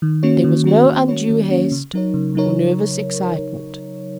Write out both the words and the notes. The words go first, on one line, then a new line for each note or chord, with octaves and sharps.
There was no undue haste, or nervous excitement.
D#3
A#3 C#4 F#4 C#5
D#3
A#3 C#4 F#4 C#5
D#3
A#3 C#4 F#4 C#5
D#3
A#3 C#4 F#4 C#5
C#3
F#3 D#4 A#4 C#5
C#3
F#3 D#4 A#4 C#5